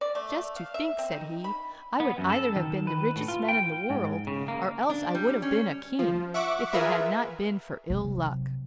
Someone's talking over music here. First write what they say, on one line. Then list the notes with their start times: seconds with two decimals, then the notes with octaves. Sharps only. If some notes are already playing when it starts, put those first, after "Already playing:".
"Just to think!" said he, "I would either have been the richest man in the world, or else I would have been a king, if it had not been for Ill-Luck."
0.01 D5
0.15 A3
0.56 F5
0.74 E5
0.98 C4
1.12 D#4
1.44 B5
2.00 B3
2.18 F#2
2.30 A4
2.56 D#3
2.87 B4
3.16 A2
3.28 F4
3.48 G5
3.90 G#2
4.27 C#3
4.48 A#3
4.90 D4
5.15 G3
5.42 C#4
5.99 F3
6.34 E5 F#5 C#6 D6
6.73 F4 G#4 A#4 B4 E5
7.90 C3 F#3